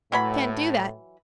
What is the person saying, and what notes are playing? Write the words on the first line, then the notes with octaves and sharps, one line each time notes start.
Can't do that.
A2 E3 F#3 B5